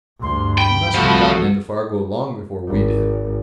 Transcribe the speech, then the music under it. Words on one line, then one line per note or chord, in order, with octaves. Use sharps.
He must have gotten into Fargo long before we did.
D2 G2 C6
G5 B5
C2 C3 F3 A3 F#4
G#1